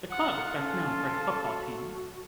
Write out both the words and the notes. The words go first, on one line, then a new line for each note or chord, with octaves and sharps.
The club is best known for its football team.
F4 F#5
C#4 A4
F#4